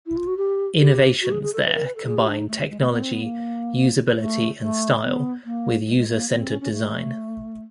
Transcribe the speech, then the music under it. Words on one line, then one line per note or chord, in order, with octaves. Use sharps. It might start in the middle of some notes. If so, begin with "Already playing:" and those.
Innovations there combine technology, usability and style with user centered design.
E4
F4
F#4
G4
G4
F#4
G#4
G#4
A4
B4
A#4
B4
A4
G#4
G4
D4
D#4
A3
G#3
G#3
A3
B3
C4
B3
A#3
A3
A3
B3
A#3
G#3
G#3
A3
A#3
B3
C4
C#4
C#4
A3